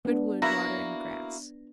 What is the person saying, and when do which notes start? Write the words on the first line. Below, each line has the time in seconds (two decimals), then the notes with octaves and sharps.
Good wood, water, and grass.
0.05 B3 D4
0.42 A#3 E4 F#4 A#5